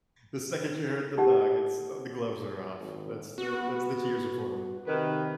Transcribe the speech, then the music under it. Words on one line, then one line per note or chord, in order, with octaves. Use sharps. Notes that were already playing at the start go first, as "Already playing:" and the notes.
the second you hurt the dog, it's uh, the gloves are off, that's the that's the tears are flowing.
D#4 G4 F#5
G#1
B3 F#4
C3 D#3 B4